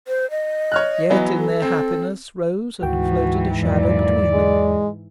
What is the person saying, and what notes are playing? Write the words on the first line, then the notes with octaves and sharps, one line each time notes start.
Yet, in their happiness, rose and floated a shadow between them.
C5
D#5
C#5 F6 F#6
E3 F#3 B3
A4
C4
D2 G#2 E3 F#4 G5
E2 A#2 F#3 D5
G#3